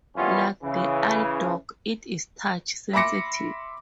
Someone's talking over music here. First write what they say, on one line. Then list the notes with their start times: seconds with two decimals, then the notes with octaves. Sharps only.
Like the iDog, it is touch-sensitive.
0.15 F#2 E3 G3 B3 C#4 F4
0.63 C#3 E3
2.93 E5 B5 C6 D6 A#6 C#7